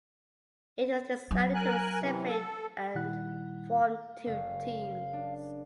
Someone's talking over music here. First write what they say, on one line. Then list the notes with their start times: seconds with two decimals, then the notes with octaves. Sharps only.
It was decided to separate and form two teams.
1.31 F#3
1.54 A#4 G#5 F#6
1.99 C3 E3
2.28 A4
2.95 A#2 D#3 G3 E4 F#5 F#6
4.26 F#1 F5
5.13 D4